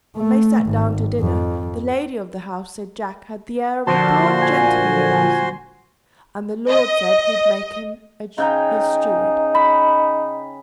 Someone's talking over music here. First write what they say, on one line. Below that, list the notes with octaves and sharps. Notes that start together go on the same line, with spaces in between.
When they sat down to dinner, the lady of the house said Jack had the air of a born gentleman about him, and the lord said he'd make him his steward.
A3
G#1
F2
A#2 D3 F3 F#4 C5 A5 C6
G#5
D#5
C#3 D#4 G5 A#5
B5